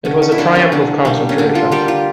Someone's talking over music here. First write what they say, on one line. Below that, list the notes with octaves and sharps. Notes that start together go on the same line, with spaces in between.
It was a triumph of concentration.
D3 C#4
C#4
E4
G3 A#3 D4
C#4
D3 D4
G3 A#3
C#4
D3 D4
F4
G3 A#3 G4
F4